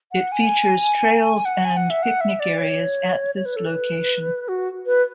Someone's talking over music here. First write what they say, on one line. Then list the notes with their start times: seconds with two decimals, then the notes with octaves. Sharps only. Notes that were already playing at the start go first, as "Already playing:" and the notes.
It features trails and picnic areas at this location.
0.12 F#5
0.32 G#5
1.45 F#5
1.65 G#5
1.77 F#5
1.90 E5
2.03 F#5
2.21 E5
2.40 D5
2.59 C#5
3.35 C#5
3.45 B4
3.56 A4
3.67 B4
4.48 F#4
4.87 B4